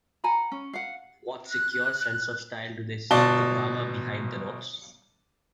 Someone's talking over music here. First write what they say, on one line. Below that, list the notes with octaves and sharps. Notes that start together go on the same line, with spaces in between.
With what secure sense of style do they seek the drama behind the notes.
F#5 G#5 A#5 B5
C#4
F5 F#5
F#6
G1 B2 D5 A5 G7